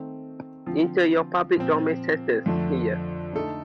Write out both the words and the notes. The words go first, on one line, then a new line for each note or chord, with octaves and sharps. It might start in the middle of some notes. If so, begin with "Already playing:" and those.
Enter your public domain sentence here.
Already playing: D#3 A3 C4
D3 F3 C4 F4
A#2 F3 C4
F2 D3 A3 D4
D3 A3 D#4 A4